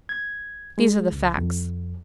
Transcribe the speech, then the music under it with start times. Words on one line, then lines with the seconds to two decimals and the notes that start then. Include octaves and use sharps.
These are the facts.
0.09 G#6
0.78 G#3
1.12 C#2
1.38 F2